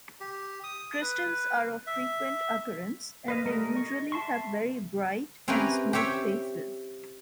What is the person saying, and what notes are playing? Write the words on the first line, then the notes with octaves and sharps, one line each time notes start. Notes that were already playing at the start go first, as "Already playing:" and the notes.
Crystals are of frequent occurrence and they usually have very bright and smooth faces.
G4
D#6
B4
E5
B4 D#5 F5
G3 A3 A#4 D#5
D#5 C#6
E5 A5 C6 C#6
C4 C#4 E4 G4 A#4 B4
G4 C5 C#5 E5 G5